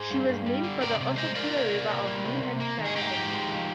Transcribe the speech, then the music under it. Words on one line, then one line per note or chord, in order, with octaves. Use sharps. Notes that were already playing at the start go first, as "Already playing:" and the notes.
She was named for the Ossipee River of New Hampshire and Maine.
Already playing: G#4 C5
G2
G2
G3
D3
C3 A#4 D5
C3
G#3 C5 D#5
F3 A#4 D5
C3
C3
A#3
G3
C3
C3
A#3
D#3
G#4
G#2 D#4 G4
G#2
G#3
F3